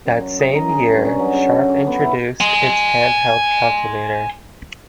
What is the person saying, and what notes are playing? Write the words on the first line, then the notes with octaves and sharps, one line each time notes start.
That same year, Sharp introduced its hand-held calculator.
F#2
D#5
A#4
G#4
G2
C#4
F#3
C#3
A4
D6
B3
E4
G#5 C6